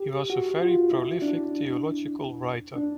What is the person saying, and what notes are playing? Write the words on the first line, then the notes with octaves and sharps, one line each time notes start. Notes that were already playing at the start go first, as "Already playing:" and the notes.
He was a very prolific theological writer.
Already playing: G4
F#4
F4
E4
D4
D4